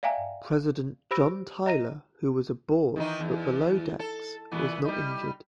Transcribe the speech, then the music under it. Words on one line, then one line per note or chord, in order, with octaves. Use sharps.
President John Tyler, who was aboard but below decks, was not injured.
D5 E5 F5 G5 G#5 A#5
G4 C5 B5 E6 A#6 D7
D#5 A#5 A#6 D#7
D#3 E3 D#4
E2
A4
A#2 E3 B3
G3 D#4